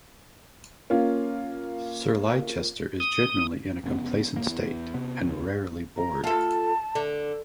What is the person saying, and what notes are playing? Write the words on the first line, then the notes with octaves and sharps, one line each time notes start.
Sir Leicester is generally in a complacent state, and rarely bored.
A#3 C#4 F4
D#6
F1 C#3 B3
E1 A#3
E2
C3 B3
C#2
A#5
F4 A4 A5
D3